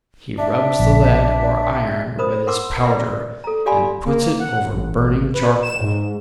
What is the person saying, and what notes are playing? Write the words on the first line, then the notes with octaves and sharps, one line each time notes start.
He rubs the lead or iron with his powder, and puts it over burning charcoal.
D4 E5
A#1
A#4 C5 B5 D#6
A#4 F#5 C6 D6 E6
B4 D5 E5 C6
A4 A#5
G4 D5 F5 G#5 B5 C6
A#3
F#5
A1
B4
E7
G#2